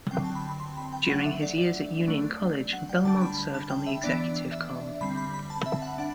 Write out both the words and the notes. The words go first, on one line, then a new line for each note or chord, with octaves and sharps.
During his years at Union College, Belmonte served on the executive comm.
D3 F#3 C4 G5
A5
B5
B5
C6
B5
G5
F#3 A3 D4 F#5
E5
D5
D5
F#3 A3 D4
F#5
G5
D3 G3 D4 A5
B5
B5
A5
G5
E5
E3 B3 D4 D5
E5
D3 G3 C4 B5
B5
B5
A5
E5
F#5
D4 F#5